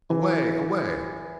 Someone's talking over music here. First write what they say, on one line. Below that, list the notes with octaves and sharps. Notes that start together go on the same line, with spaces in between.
Away! away!
E3